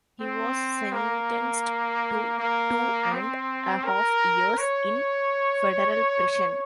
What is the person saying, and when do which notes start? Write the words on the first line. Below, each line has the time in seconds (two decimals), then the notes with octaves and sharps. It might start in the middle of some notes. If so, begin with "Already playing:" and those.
He was sentenced to two and a half years in federal prison.
0.20 C4
0.92 A#3
2.39 A#3
3.12 C4
3.85 A#4
4.58 C#5